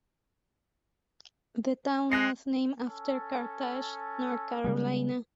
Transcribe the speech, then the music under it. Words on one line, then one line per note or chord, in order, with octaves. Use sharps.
The town was named after Carthage, North Carolina.
G#3 F#6 A#6 C7
C#4 A4
C#3 G3 G#3